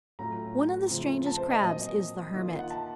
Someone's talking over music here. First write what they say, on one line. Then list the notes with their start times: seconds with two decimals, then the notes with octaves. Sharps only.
One of the strangest Crabs is the Hermit.
0.19 A2 F#3 A3 C#4 F4 A#5
0.90 C#3 F3 A3 C4 F4
1.26 A5
1.38 C5
1.50 D#5
1.62 A#2 F#3 C4 D#5
2.34 D#3 A#3 F4
2.59 F#5
2.70 A5